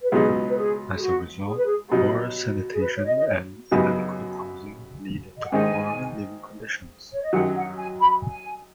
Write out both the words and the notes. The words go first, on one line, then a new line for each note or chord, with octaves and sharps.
As a result, poor sanitation and inadequate housing lead to poor living conditions.
B4
C#2 B2 F#3 B3 D#4 G#4
B4
G#4
G#4
F#4
G#4
B4
G#4
B2 F#3 D#4
G#4
B4
C#5
D#5
D#5
C#5
F#2 C#3 F#3 B3 D#4
D#5
F#5
G#2 D#3 G#3 D#4 G#5
C#5
D#5
F#2 D#3 F#3 F#5
F#5
G#5
B5
G#5